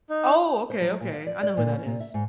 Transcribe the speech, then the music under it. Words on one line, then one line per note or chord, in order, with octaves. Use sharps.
Oh, okay, okay, I know who that is.
D#4
C5
F#3
A#2
F5
D5
D5
A#2
C#4
A#2
E5
G#2